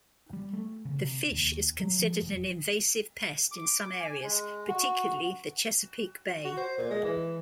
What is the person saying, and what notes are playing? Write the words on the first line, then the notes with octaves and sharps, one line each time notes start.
The fish is considered an invasive pest in some areas, particularly the Chesapeake Bay.
G3
A3
C#3
C3
D#2
F#3
F3
F1
D6
G#5
G#3
F#4
F#4
C5
A#2
G#3
E3